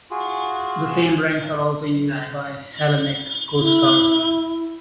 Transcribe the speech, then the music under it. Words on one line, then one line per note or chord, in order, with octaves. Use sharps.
The same ranks are also used by the Hellenic Coast Guard.
F4 F#4 G#4
E4